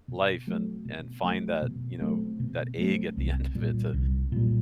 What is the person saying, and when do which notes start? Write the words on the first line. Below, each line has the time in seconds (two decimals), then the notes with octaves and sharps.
Life and and find that, you know, that egg at the end of it to
0.08 B2
0.47 F#3 A3 C4
0.85 B2
1.23 F#3 A3 C4
1.62 B2
2.01 F#3 A3 C4
2.40 B2
2.78 F#3 A3 C4
3.17 C2
3.55 A#2 G3
3.94 C2
4.32 A#2 G3